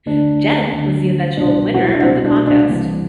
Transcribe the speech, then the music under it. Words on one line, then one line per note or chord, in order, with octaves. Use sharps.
Jen was the eventual winner of thecontest.
D2 D3 D4
D2 D3
C2 B2 D4
F#4
E4
D4
C2 B2 C4
D4
D4
C2 C3 E3